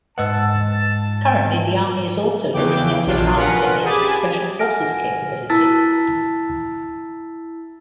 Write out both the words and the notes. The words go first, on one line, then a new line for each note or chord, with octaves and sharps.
Currently, the army is also looking at enhancing its special forces capabilities.
G#2 B4 D#5 F#5 A5 E6
E2 C#3 E3 G5 D6
A#1 C3 F#3 D4 F4
C#4 F4 A#4 B4 F#5
G4 G#4 G#5 A5 B5 D6
F#5 G#5 F6 A#6 D7
E4 A5 E6 A6 B6